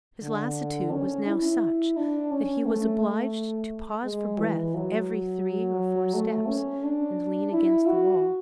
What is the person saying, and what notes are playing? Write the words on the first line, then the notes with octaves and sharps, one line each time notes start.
His lassitude was now such that he was obliged to pause for breath every three or four steps, and lean against the wall.
D3
C#4
E4
D4
C#4
A3
A3
G#3
E3
F#3
A3
C#4
D4
E4
F#4